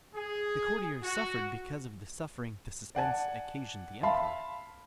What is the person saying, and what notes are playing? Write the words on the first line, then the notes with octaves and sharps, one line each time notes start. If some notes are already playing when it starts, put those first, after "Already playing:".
The courtiers suffered because of the suffering the suspense occasioned the Emperor.
G#4
F#4
D5 F#5 G#5 A5
E5 F5 A5 B5 C6